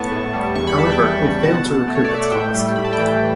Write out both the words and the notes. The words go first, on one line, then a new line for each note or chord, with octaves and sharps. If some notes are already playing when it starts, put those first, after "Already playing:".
However, it failed to recoup its cost.
Already playing: A2 B3 A5 C#6
A2
G3
E2 C#6
B5
E3 A5
G5 B5
E2
C#3
B2 F#5 A5
B2
A3
C#5
D5
A3 E5
F#5
A2 E5 G5
G3
A2 B5
A5
G5 B5
E3